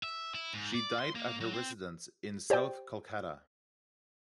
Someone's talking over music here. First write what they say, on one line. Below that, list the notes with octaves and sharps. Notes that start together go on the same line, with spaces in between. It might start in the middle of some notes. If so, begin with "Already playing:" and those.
She died at her residence in south Kolkata.
E5
E4
G#2
D5
C6
A#3
F#3
C4
G4 C5 D5 G5